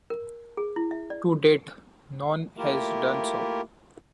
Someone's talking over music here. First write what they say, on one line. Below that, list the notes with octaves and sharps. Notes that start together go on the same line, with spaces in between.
To date, none has done so.
A#4
G#4
E4
E5
D5
A3 A#3 E4 F4 G4 A#4